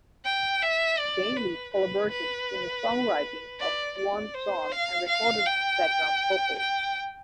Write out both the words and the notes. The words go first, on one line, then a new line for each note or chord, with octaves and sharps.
Bailey collaborated in the songwriting of one song and recorded background vocals.
G5
E5
D5
B4
B4
B4
D5
D5
C5
F5
F5
G5
G5